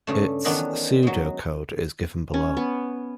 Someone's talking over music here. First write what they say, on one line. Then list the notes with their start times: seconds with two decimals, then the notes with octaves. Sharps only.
Its pseudocode is given below.
0.07 G2 C#3 A3
0.45 D#3 E3 F#3 B3 C#4 D4
1.03 F#3 G#3
2.34 C#4
2.57 B3